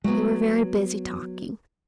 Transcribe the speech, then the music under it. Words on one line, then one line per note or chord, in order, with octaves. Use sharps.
They were very busy talking.
F#3 G#3 B3